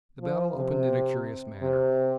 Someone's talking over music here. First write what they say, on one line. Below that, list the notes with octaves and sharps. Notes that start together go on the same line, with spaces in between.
The battle opened in a curious manner.
F3
C3
C3